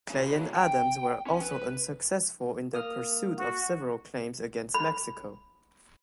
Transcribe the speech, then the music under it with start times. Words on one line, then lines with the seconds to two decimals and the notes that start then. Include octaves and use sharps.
Clay and Adams were also unsuccessful in their pursuit of several claims against Mexico.
0.10 F#2 C#3
0.56 G5
1.27 C#4
1.41 B4
2.73 A#3 D#6 F6
3.37 F#4
4.74 B5